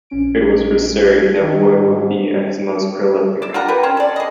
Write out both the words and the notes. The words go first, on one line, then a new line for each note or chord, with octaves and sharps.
It was for Surrey that Wood would be at his most prolific.
A#1 C#4 D7
D#3
G#2
D5 E5
F4 G4 F#5 A#5
G4 A#4 B4
C4 C#4
A4 D5
G#4 D#5